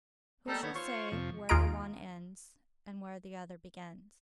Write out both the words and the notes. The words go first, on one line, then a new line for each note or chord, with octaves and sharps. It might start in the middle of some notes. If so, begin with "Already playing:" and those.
Who shall say where the one ends, and where the other begins?
G3 A#3 B3 D#4 A4
D#3 A#3 B3 A4 C#5
F4 C5 C#5 C#6
F2 C3 F3
D#2 F4 G#4 D#5 A#5 D7